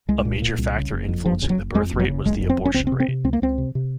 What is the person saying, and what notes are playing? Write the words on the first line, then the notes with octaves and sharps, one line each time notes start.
A major factor influencing the birthrate was the abortion rate.
C2 G#3
A#2
A#2
C2
C#3
F#1
F2
F#1 F3
C#3
F#3
F#1
F2 G#3
F#1
F#3
C#3
F#1 G#3
F2
C4
F#1
C#4
C#2 C4
C4
C3
C4
C3
C#2 C4
A#3
C#2 C4
C3
C3